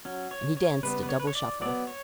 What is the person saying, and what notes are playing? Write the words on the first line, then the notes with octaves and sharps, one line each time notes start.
And he danced a double shuffle.
F#3 C#4
C#5
C#5
C#3 G3 B3 B4
B4
C#5
B4
C#5
D5
F#3 B3 D5
C#5